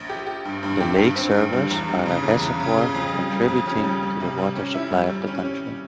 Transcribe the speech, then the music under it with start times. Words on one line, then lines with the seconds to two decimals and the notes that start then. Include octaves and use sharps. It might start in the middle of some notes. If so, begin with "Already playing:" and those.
The lake serves as a reservoir contributing to the water supply of the country.
Already playing: A#1
0.09 G4
0.27 G4
0.45 G2
0.63 G2
0.80 G4
0.98 G2
1.16 C4
1.35 G2
1.52 G3
1.71 E2
1.88 G3
2.06 C#3
2.23 E2
2.42 E2
2.60 C#3
2.77 C#3
2.94 F2
3.12 G3
3.31 G3
3.48 F2
3.66 C#4
3.84 G3
4.03 G3
4.20 C3
4.37 G3
4.56 C#4
4.74 E4
4.91 G3
5.10 G3
5.27 C#4
5.45 C#4